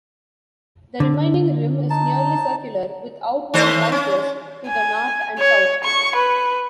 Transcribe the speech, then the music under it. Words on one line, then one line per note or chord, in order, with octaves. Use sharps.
The remaining rim is nearly circular, with outward bulges to the north and south.
D3
D#4 A5
D#3 A3 C5
C#4
G#5
C#5
C#6
B4